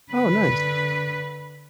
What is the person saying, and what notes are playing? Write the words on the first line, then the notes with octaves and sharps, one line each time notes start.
Oh, nice.
D3 B4